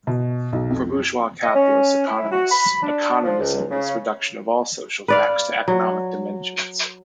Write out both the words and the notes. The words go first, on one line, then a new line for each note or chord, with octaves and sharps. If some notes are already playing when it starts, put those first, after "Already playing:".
For bourgeois capitalist economists, "economism" is reduction of all social facts to economic dimensions.
B2
B1
F2
D#5
C#4
E4
F#4
B5
D4
F3
C#2
C#3
B4 D5 F5
F#3